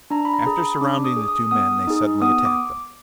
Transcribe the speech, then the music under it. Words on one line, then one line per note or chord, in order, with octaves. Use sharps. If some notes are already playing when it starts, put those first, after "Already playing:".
After surrounding the two men they suddenly attacked them.
D4 A#5
B5
A#5
G#4
B5
D4 D6
D6
D#6
G#4
D#6
B3 D#6
D#4 G#4
B3 D#6
D6